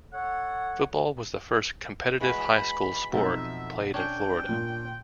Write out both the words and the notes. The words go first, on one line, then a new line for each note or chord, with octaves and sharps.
Football was the first competitive high school sport played in Florida.
A4 C#5 F#5
E3 G#3 F#4 B5
B1 F2 B2 D#4 E5
C#4 D4 C#5 G5
A#2